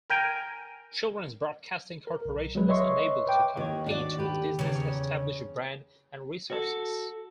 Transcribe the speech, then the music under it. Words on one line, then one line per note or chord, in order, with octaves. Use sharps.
Children's Broadcasting Corporation was unable to compete with Disney's established brand and resources.
A#4 G5 G#5
A#4
B1
F#3 G#3 B4
B4 C#5 D#5 E5 C6 C#6
B4 G5 D6
D#2 D#3 C#5
D4 F#4 D5
G4 B4
E2 C#3
F#4 A4